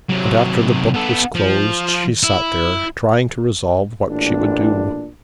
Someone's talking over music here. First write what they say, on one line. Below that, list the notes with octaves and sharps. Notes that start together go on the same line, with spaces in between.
And after the book was closed she sat there, trying to resolve what she would do.
C3 F#3
B3 A4
F3
E4
A1 A#2 D4